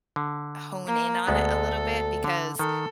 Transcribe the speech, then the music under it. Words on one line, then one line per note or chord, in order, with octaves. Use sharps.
hone in on it a little bit, because,
D3
A#3
D2 G#3 B3 A4
D3
D#3 A4